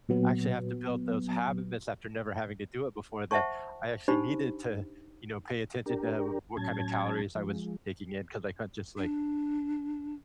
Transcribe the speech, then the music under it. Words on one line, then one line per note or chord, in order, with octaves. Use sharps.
actually have to build those habits after never having to do it before that I actually needed to, you know, pay attention to, uh, what kinda calories I was taking in, 'cause I couldn't just, like,
A#2 F#3 B3
C5 E5 F#5 A5 C#6
D4 D#4 G4 C5 B5
D4 G4 A#4
A2 F#3 C#4 A5 G#6
F3 G#3
D4